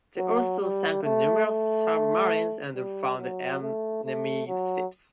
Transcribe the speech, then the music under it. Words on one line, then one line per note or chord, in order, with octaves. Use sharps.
They also sank numerous submarines and found enemy ships.
F#3
G3
A3
A3
G3
F#3
A3
A3
F#3